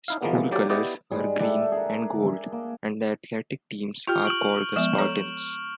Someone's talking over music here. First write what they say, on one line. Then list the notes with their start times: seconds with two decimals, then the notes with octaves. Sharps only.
School colors are green and gold, and the athletic teams are called the Spartans.
0.08 D#4 E4 F5
0.22 E3 F3 G#3 A#3 B3
0.51 F#3 A#3 G4 D5
0.70 B3 E4 G4 D5 D#5
1.11 G#2 G3 G#4
1.40 D4 G4 A4 E5
1.72 G#4 A#4
2.52 A#3
4.07 F4 G4 G5 F6 G6 F7
4.23 C#6 D7 F#7
4.76 F3 G#3 B3 F6 E7
4.97 A4 C#5 A#5